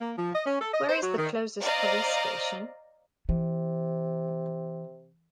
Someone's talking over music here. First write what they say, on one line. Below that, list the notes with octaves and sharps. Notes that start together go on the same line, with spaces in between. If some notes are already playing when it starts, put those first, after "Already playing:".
Where is the closest police station?
A#3
F3
D#5
C#4
A4
D#5
C5
F#3
D#3
C5 D5 D#5 F5 A#5
C3 E3